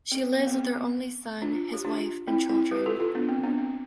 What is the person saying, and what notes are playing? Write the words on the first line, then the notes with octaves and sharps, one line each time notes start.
She lives with her only son, his wife and children.
C4
B3
C4
B3
C4
B3
D4 F4
G4
D4 F4
C4 E4
C4 E4
G4 B4
F4 A4
F4 A4
B3 D4
C4
B3 D4
C4